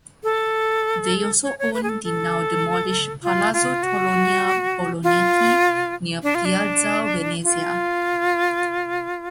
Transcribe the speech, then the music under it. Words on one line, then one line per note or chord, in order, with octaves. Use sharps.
They also owned the now demolished Palazzo Torlonia-Bolognetti near Piazza Venezia.
A4
C#5
C#5
B4
G#4
A4
A4
F4
F4
F#4
F4
D4
F4
D4
F4